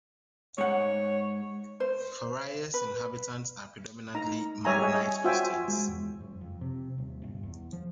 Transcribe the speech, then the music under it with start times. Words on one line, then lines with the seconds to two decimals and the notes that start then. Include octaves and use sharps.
Faraya's inhabitants are predominantly Maronite Christians.
0.58 G#2 C#5 F#5
1.80 C5
2.74 B4
4.15 D#4 A#5
4.65 G3 C#5 E5 G5 G#5 A#5
4.82 G#4 C#5 D#5
5.24 F4 F#4 C5 E5 G5 G#5
5.68 G#3
5.88 E2
6.21 F#1
6.41 F2
6.61 C3
6.98 D#1
7.23 G1
7.43 E2
7.73 F3